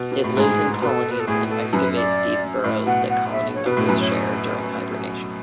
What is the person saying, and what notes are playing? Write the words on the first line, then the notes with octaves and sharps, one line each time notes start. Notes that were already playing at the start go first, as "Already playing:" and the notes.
It lives in colonies and excavates deep burrows that colony members share during hibernation.
Already playing: B2
B2
A2
G#2 G#4 A4
B2 B4
A4
B4
A4
A2 G#4
A4
F#2 B4
D5
A2
B2 F#5
F#5
E5
C#5
B2 B4
A2
F#2 B4
C#5